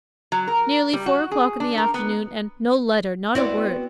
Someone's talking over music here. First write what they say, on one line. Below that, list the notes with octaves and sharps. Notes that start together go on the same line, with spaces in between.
Nearly four o'clock in the afternoon, and no letter--not a word!
F#3
A#4
G3
F#4
G#4
D4
A#4
B3
B3 C4 E4 F#4 D5